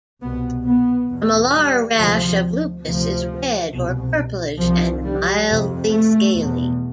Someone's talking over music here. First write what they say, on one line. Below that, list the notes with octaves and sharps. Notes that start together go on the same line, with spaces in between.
The malar rash of lupus is red or purplish and mildly scaly.
C2 B2 B3
B3
E2 B2
G3
D2 C3 F3
D2 C3 F3
C2 B2
C2 C3 F3
G3
F2 C3
A3
E2 B2